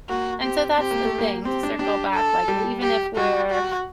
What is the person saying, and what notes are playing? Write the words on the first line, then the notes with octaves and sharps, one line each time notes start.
And so that's the thing, to circle back, like, e even if we're,
A#3 F#4
C4 G4
C4 G4
A#3
A3
A#3
C4 G4
D4
D4 G4
A4
G3
G4
G3 F#4
F#4